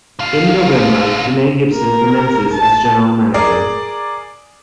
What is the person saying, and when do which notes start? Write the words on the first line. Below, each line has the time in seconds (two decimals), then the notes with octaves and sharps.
In November, Danae Gibson commences as General Manager.
0.19 D3 F5
1.74 A#4
2.53 A5
3.34 G#4 A#4 D5